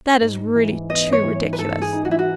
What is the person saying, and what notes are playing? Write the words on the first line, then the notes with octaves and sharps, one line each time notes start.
That is really too ridiculous!
G#2
D#4
E3
E3
B3 D#5
G#2
C#5
E3
D#4
B4
G#2 A4
G#2
G#4
D#4
F#4
E3 E4
F#4